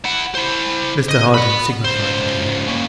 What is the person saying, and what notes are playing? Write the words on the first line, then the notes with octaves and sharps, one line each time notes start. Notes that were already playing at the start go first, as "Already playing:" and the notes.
Mr Harding signified that he had.
E4 F#5
E4 C5
D#5
F#5 B5
C#2 C5
A#3 C#4